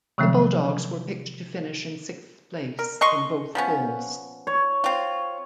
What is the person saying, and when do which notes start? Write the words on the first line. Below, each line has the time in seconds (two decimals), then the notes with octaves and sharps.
The Bulldogs were picked to finish in sixth place in both polls.
0.18 C3 D#3 F3 F#3 A3 C4
2.79 A#4
3.01 D#5 C6 C#6
3.55 F3 B3 C#4
4.47 C#5
4.84 C4 F4